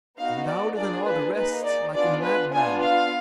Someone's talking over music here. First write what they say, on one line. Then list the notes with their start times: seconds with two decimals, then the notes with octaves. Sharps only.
"Louder than all the rest; like a madman."
0.19 B3 D#4 F#4 F5
0.47 D5
0.77 A#3 D4 F4 G#4 D5
1.06 B4
1.36 A#3 D#4 G#4 B4
1.65 D5
1.94 B3 D4 F4 G#4 D5
2.23 B4
2.54 B3 D4 F4 G#5
2.82 F5